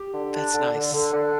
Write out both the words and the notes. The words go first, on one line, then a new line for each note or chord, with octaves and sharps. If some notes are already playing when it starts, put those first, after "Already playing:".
That's nice,
Already playing: G4
D3
D4
D3
D3
D3
D3